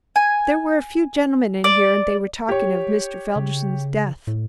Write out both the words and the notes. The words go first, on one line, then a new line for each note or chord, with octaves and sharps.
There were a few gentlemen in here and they were talking of Mr. Felderson's death.
G#5
D5
G4 C#5
C#3
A2